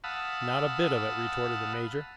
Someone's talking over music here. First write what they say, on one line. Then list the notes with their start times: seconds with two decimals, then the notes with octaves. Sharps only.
"Not a bit of it," retorted the major.
0.04 F5 F#5 A5 B5 D#6 E6